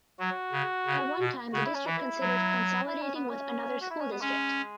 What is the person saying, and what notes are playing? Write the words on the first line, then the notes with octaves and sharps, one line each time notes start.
At one time the district considered consolidating with another school district.
F#3 F#4
C#3
C#3
B2
C#3 F#4
E4
C#4
E3 E4
F#3
E4
C#4
B3
C#4
F#4
E4
C#4
B3
G#3 C#4